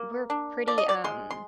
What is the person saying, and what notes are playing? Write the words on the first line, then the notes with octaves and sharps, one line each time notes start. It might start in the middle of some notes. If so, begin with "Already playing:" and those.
we're pretty, um
Already playing: A#3
D4
F3 D5
D#5
D5
G#3 C6
C6